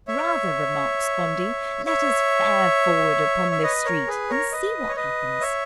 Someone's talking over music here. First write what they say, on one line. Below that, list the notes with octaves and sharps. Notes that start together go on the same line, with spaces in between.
Rather, remarked Spondee, let us fare forward upon this street and see what happens.
C#5 E5
C#5 E5
E5
B4 D#5
A#4 C#5
G#4 B4
A#4 C#5
B4 D#5
C#5
B4 D#5
C#5 E5